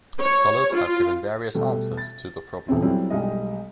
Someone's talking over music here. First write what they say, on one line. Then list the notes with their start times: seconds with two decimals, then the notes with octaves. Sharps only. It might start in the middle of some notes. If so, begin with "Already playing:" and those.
Scholars have given various answers to the problem.
0.19 C#5
0.74 F4
1.55 B2 G3 A3
1.97 A6
2.68 D#1 E2 C4
2.82 F#3 G3 C4 E4
3.10 B1 G3 G#3 D#5